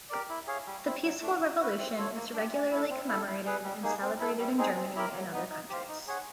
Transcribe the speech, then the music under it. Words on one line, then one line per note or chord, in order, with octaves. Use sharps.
The peaceful revolution is regularly commemorated and celebrated in Germany and other countries.
G4 A#4 D5
E4
G#4 C#5 F5
G3
C4 E4
F#3
A3 D4
D4
F#4 B4
C4
F4 A4 C#5
A#3
D4 G4
C#4
E4 A4
C4
E4 A4
E4
G#4 B4
G3
A#3 D#4 G#4
C4
E4 A4
G3
C4 D#4 G#4
C4
E4 G4 A#4
F#3
B3 D#4
D#4
G4 C5 F5
D#4
G#4 C#5 F#5